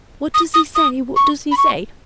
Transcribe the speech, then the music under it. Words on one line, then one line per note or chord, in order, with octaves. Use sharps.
'What does he say, what does he say?
D#6
D#6
D#6
C#6
B5
C#6